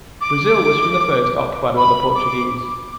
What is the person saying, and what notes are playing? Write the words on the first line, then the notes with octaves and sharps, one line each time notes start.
Brazil was from the first occupied by the Portuguese.
D6
B5
D6
D6